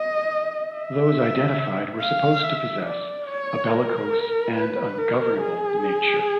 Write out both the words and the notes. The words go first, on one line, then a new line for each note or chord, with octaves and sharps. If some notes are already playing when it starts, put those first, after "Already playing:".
Those identified were supposed to possess a bellicose and ungovernable nature.
Already playing: D#5
E5
F5
E5
D5
C#5
A#4
B4
A#4
G#4